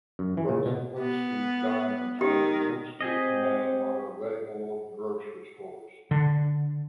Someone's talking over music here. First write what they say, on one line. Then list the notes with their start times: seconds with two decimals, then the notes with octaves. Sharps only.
Frozen Moosewood dinners under the Moosewood name are available in grocery stores.
0.19 F#2
0.37 E3
0.49 A#2
0.66 B2
0.99 B3
2.21 D#3 G4
3.01 C4 G4 G#4 D#5
6.11 D3